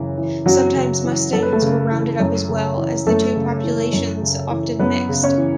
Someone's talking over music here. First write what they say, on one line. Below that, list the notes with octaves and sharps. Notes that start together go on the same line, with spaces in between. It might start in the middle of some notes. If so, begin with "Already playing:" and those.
Sometimes Mustangs were rounded up as well, as the two populations often mixed.
Already playing: F#2 C#3 E3
E3
F#2 F#3 F#4
C#3
E3
F#2 A4
B4
A3 A4
C#3
E3
F#2
C#3
E3
F#2 A3 A4
C#3
E3
F#2
C#3
E3
F#2 B3 B4
C#3
C#4 C#5
E3